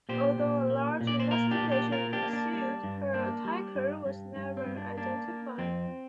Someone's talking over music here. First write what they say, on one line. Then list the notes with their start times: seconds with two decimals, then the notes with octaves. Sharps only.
Although a large investigation ensued, her attacker was never identified.
0.09 A#2 G4 C5
0.40 A#2
0.70 A#3
1.01 A#2
1.07 D5
1.20 C5
1.31 A#3 F4 A#4
1.51 D4 G4
1.62 A#2
1.72 D4 G4
1.92 A#3 F4 A#4
2.13 D4 G4
2.22 A#3
2.33 D4
2.53 G3 D4
2.83 G2
3.14 A#3 D4
3.45 G3
3.75 G2
4.06 G2
4.36 G2
4.57 C4
4.67 G2
4.77 D4
4.97 A#3 D4
5.28 A#3
5.58 F2 C4